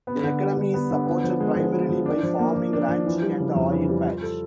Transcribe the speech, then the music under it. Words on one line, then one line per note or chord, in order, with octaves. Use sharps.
The economy is supported primarily by farming, ranching, and the oil patch.
B3
D3
G3
D3
B3
D3
B3
F3
G#3
F3
B3
F3
D4
F3
A#3
F3
D4
F3
E3
G3
C#3
F2
E3
G3
F4
A4